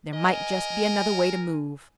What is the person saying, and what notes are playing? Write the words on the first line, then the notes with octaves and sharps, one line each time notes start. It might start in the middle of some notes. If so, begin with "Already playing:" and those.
There might just be another way to move.
A#4 D#5 G#5